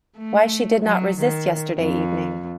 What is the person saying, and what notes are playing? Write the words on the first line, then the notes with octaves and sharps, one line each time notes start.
Why she did not resist yesterday evening?
A3
F#3
D#3
F2